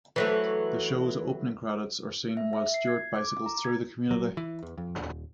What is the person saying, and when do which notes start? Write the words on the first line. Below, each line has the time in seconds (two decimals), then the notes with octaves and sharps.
The show's opening credits are seen while Stewart bicycles through the community.
0.16 E3 F#3 A3
2.37 E5
2.53 E5
2.74 C7
2.87 G#6
3.16 D6
3.28 D6
3.46 A#5
3.65 G#6
4.11 F#3
4.37 E3
4.63 E2
4.78 F2
4.99 D#1